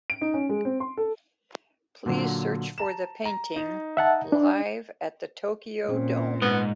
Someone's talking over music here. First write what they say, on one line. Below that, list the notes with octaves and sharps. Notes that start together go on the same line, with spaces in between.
Please search for the painting Live at the Tokyo Dome.
D7
D#4
C#4
G#3
C4
C6
A4
A#2 D3 F#3
A5 A#5 E7
A#5
D#4
E5 F#5 A5
D4
A#2 C4 C#4
G#2 B3